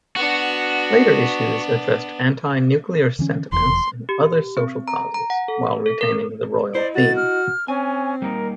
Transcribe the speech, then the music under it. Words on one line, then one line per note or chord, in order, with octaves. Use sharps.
Later issues addressed anti-nuclear sentiments and other social causes while retaining the royal theme.
B3 D4 F#4
D3 E3 C#4
F1 E2 C6
G4
C4
A#5
A#5
F#5
A4
A4
A#4
E4 C5 D5 D#5
F#4 A6
F6
C4 C#4 G#5
G3 A#3 D#4 A#4